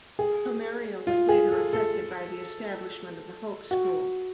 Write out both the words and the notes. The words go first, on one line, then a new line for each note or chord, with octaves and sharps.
Pomaria was later affected by the establishment of the Hope School.
G#4
F4
G#4
A4
A4
F#4